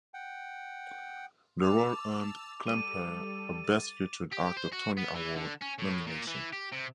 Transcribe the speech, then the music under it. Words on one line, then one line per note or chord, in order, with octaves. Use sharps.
The role earned Klemperer a Best Featured Actor Tony Award nomination.
F#5 G5
A5 D6 E6 F7
G3 A4 D#7
A6
G4
C5
F#4
B3
E3
D3
C#4
A2
A#2
E3
G4
C3